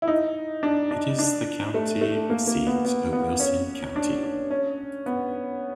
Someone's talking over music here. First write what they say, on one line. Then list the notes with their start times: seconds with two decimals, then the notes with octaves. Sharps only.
It is the county seat of Wilson County.
0.02 E4
0.07 D#4
0.63 D4
0.91 D4
1.19 D4
1.74 A3
2.01 A3
2.30 A#3
2.47 A#3
2.67 B3
2.85 B3
3.13 B3
3.40 C#4
3.96 D4
4.23 D4
4.51 C#4
5.06 B3